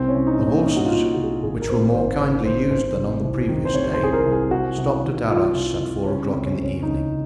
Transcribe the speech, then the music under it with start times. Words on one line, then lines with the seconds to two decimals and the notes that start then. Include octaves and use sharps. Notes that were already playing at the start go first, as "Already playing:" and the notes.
The horses, which were more kindly used than on the previous day, stopped at Arras at four o'clock in the evening.
Already playing: C2 C4
0.08 C#4
0.14 C2
0.27 D#4
0.40 A#2
0.47 C#4
0.66 A#2 D#4
0.77 F#4
0.85 F4
0.91 A#2
1.04 F#4
1.15 C2 F#4
1.23 G#4
1.43 G#1 G#4
1.62 A#4
1.69 G#1 C5
1.88 C#5
1.94 G#1 C5
2.20 D#3 C#5
2.45 G#1 C5
2.71 G#1 C5
2.97 C3
3.23 C2
3.48 D#3
3.65 C5
3.74 C3 C#5
3.94 C5
4.00 C2 G#4
4.13 A#4
4.26 C2
4.32 G#4
4.51 C2 F#4
4.78 C2
5.03 D#3
5.28 D#3 F4
5.54 C2
5.80 C2
6.05 C#3 C#4
6.25 C4
6.31 C#2
6.44 C#4
6.57 C#2
6.63 C#4
6.83 C#2 D#4
7.08 C#3